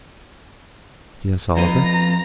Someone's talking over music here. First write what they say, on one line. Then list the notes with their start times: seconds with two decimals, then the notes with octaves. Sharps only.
"Yes, Oliver?"
1.57 F2 F4 B4 A#5